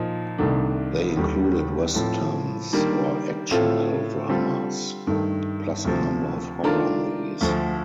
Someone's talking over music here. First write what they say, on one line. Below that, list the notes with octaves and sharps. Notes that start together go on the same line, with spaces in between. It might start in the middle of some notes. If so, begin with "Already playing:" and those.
They included westerns or action melodramas, plus a number of horror movies.
Already playing: A#2 F3 D#4
C2 C3 D#3 A3 D4
D#2 D3 G3
A2 F3 C4
D#3 G3 A#3 D4
A2 A3 C4 F4 A4
D3 G3 C4 F4 A4
G2 D#3 A3
D2 C3 F3
D#3 A3 D4 F4 A#4
D2 D3 F3